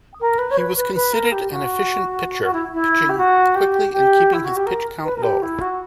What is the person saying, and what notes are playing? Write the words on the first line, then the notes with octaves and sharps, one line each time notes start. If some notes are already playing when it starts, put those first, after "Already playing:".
He was considered an efficient pitcher, pitching quickly and keeping his pitch count low.
A#4
B4
C#5
B4
B4
B4
A#4
G4
F#4
F#4
E4
E4
G4
F#4
G4
G4
E4
F#4
G4
A#4
B4
A#4
G4
E4
F#4